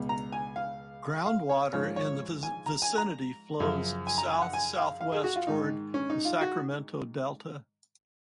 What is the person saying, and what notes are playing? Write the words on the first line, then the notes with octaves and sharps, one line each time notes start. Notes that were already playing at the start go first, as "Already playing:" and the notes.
Groundwater in the vicinity flows south-southwest toward the Sacramento Delta.
Already playing: C#2 B2
A#5
G#5
F5
F5
C#5
G#2 F3 C#5
C#5
G#5
A#5
G#5
A#5
F#2 C#3 F3
G#5
A#5
G#5
F#5
G#5
F5
F5
G#4
F#4
F4
G#2 D#3 D#4
C#4
D#4
F4
F#4